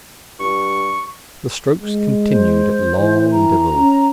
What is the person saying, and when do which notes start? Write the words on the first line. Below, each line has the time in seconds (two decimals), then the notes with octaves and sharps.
The strokes continued at long intervals.
0.39 G2 C#6
1.81 G#3
2.28 C5
2.98 E3
3.31 A#5
3.76 C#4